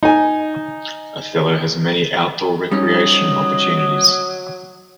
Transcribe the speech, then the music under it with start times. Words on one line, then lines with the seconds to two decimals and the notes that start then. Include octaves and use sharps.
Othello has many outdoor recreation opportunities.
0.03 D#4 G#5
2.71 F#3 G3 C#4 D#4 D#5